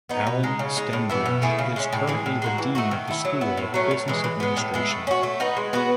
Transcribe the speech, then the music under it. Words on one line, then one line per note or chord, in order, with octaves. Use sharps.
Allen Stembridge is currently the dean of the School of Business Administration.
B3 D#4
B2
G#3 D#4
C#3
G#3 D#4
A2
E3 B3 E4
B2
A3 E4 G#4
C#3
G#3 C#4
A2
E3 G#3
A2
G#3 D#4 F#4
E3
A3 D#4 F#4
D#3
A3 E4
F#3
B3 E4
A2
F#3 A3 C#4
A2
E3 G#3
E3
G#3 B3
A2
G#3 B3 E4
A3
C#4 F#4
A3
D#4 F#4 B4
G#3
B3 F#4 B4